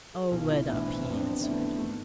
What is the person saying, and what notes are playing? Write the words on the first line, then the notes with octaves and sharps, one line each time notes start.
"Oh, let up," he answered.
A4
G#4
B1 F4
E4
A2 E3 B3 D4 E4
C4
F2 C4
D4
C4
B3
D3 A3 E4
B3
G#1 A3